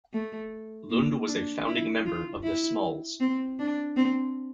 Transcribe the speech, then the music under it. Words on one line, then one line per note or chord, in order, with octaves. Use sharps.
Lund was a founding member of the smalls.
A3
A#3
D4
E4
F4
E4
C4
D4
C4